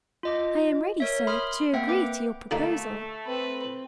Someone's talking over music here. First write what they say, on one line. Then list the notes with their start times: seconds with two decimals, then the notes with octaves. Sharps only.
I am ready, sir, to agree to your proposal.
0.23 F4 D#5 D6
1.00 A#4 C#5 E5
1.27 B5 C6 D#6 F6
1.73 A#3 C4 E5 F#5 G5
1.88 B4 D6 G6
2.51 D3 A3 A#3 D#4
3.27 C4 B4